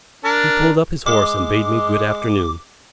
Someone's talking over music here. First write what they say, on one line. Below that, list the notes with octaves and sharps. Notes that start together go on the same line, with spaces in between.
He pulled up his horse and bade me good-afternoon.
D4 A#4
G#3 D6